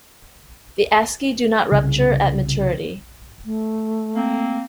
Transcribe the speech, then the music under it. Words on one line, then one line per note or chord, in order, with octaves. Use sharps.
The asci do not rupture at maturity.
C2 C#3
A3
A#3 C4